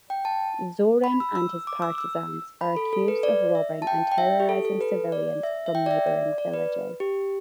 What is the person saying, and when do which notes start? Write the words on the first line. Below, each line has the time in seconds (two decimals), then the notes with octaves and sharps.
Zorin and his partisans are accused of robbing and terrorising civilians from neighbouring villages.
0.10 G5
0.25 A5
1.04 B5
1.20 E6
1.35 E6
1.67 D6
1.82 E6
1.98 E6
2.61 B5
2.76 A4
2.93 A4
3.08 B4
3.23 D5
3.55 E5
3.82 A5
3.87 G5
4.12 G5
4.18 E5
4.40 G4
4.49 A4
4.65 A4
4.81 B4
5.12 D5
5.43 E5
5.66 E5
5.75 G5
5.86 D5
5.91 E5
6.07 D5
6.38 D5
6.53 B4
7.00 G4